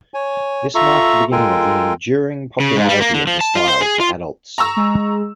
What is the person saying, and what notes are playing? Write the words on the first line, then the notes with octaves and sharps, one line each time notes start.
This marked the beginning of the enduring popularity of the style for adults.
C#5 G#5
F4 A4 E5 A#5 C#6
G#3 F4 A4 A#4 G5 G#5
C#3
G#2
G3
A#3
D3
F3
A5
F4
C5
G#4
F4
A#5 C#6 E6
G#3